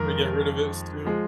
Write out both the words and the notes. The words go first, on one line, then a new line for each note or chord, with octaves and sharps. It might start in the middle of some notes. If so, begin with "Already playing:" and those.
Gonna get rid of it soon.
Already playing: F2 D#3 G#3 A#4
F3 G#3